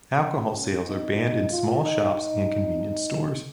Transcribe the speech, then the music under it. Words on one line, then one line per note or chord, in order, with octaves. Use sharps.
Alcohol sales are banned in small shops and convenience stores.
C#4
C#4
D#4
D#4
F4
D#4
D#4